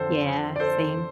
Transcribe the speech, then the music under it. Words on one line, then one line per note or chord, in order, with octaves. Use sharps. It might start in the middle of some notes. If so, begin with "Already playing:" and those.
Yeah, same.
Already playing: F2 D3 A4 C5
D5
A4 C5